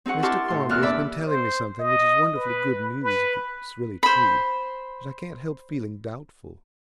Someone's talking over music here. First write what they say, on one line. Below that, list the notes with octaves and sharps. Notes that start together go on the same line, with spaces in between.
'Mr Quarmby has been telling me something which is wonderfully good news if it's really true; but I can't help feeling doubtful.
C4 D#4 G#4 F#5 C#6
E4 G4 A#4 A5 C6 C#6
A2 C6
E2 A#2 B3 C4 F6 F#6
D4 D5 E5 B5
C5
D#5
B4
B4
C5 B5